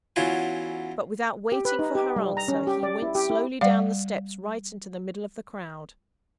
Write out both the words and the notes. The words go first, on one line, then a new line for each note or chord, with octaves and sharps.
But without waiting for her answer, he went slowly down the steps right into the middle of the crowd.
E2 F#3 C#4 E4 F4 G#5
G4
B4
D#4
G4
G3
A#5
C#4
G4
D5
E4
G4
E4
G3 D5 F5 F#5